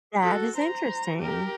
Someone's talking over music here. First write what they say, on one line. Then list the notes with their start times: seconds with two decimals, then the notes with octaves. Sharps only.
That is interesting.
0.22 F#4 A4
0.57 C5 A#5
1.19 G4 A#4